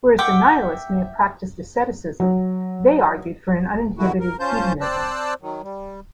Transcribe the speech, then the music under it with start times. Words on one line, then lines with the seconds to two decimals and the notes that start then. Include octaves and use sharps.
Whereas the nihilist may have practiced asceticism, they argued for an uninhibited hedonism.
0.19 E5 F#5 G5 D6
2.20 F#3
3.98 B2 D3 D#3 A3 E4 F#4
4.20 A#4
4.40 C#4 F4 C5 A5 G6
4.81 C4 C5 D5 A5 E6 F#6
5.42 D#3 F#3
5.63 G3